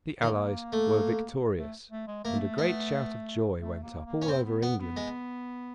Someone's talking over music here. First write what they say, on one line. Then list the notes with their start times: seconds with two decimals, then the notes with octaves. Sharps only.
The allies were victorious, and a great shout of joy went up all over England.
0.21 D#3 A#3
0.72 A3
1.57 A3
1.91 A3
2.08 G#3
2.25 A3 A#3
2.58 B3
3.60 A3
3.83 A#3
4.05 A#3
4.22 C#4
4.28 B3 C4
4.45 B3
4.63 B3
4.80 B3
4.97 G#3